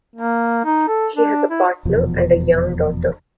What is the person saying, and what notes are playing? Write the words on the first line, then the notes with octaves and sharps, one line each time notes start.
He has a partner and a young daughter.
A#3
D#4
A4
D4
E4
F1 E2 B2 F3